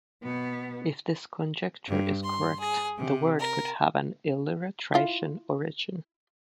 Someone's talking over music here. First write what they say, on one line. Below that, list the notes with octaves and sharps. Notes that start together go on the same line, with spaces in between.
If this conjecture is correct, the word could have an "Illyro-Thracian" origin.
B2 B3
G2
C6
G#4
C3
A#4
E4 F4